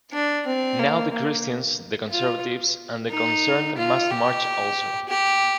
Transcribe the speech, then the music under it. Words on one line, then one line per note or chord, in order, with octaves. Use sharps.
Now the Christians, the conservatives and the concerned must march also.
D4
C4
A#3
A#3
F4
D#4
F4
G4
G4